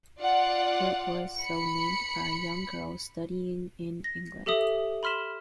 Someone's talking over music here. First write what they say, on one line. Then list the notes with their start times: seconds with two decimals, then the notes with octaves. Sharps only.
It was so named by a young girl studying in England.
0.20 F4 D5 F#5
1.39 B5 C#7
4.04 A#6
4.46 G4 A4 E5 D#6
5.03 B5 C6 F6 B6 E7